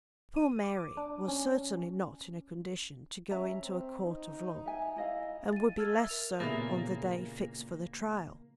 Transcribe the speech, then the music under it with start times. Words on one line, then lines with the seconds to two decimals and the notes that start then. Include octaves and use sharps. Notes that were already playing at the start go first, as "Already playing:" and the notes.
Poor Mary was certainly not in a condition to go into a court of law, and would be less so on the day fixed for the trial.
0.36 D#7
0.63 D6
0.97 D4
1.28 C#4
3.31 C#4 E5 A#5
3.63 C4
4.04 D#4
4.66 E5 G#5
4.96 E4 D#5 F5
5.53 A6 D#7
5.77 A5 E6 F6 G#6 A6
5.93 E5
6.09 A#4 F7
6.40 A#2 C#3 E3 A#3 B3 G4 A6